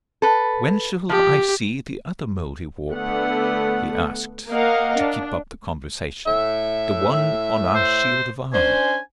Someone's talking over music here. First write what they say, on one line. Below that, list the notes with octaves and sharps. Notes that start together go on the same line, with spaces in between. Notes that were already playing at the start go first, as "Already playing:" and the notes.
"When shall I see the other Mouldiwarp?" he asked, to keep up the conversation--"the one on our shield of arms?"
A4 B4
F3 G4
D3 A3 B3 F#5
A#3 A#4 D#5 F5 F#5
D4
A2 E5
C5
C#4 D4 C5 G#5